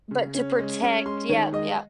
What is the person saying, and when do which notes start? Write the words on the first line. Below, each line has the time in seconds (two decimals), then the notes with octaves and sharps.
But, to protect, yeah, yeah,
0.11 C#3
0.35 C#4
0.59 G#3
0.82 C#4
1.06 G#3 C6
1.29 D#3 C#5
1.53 G#3 D#5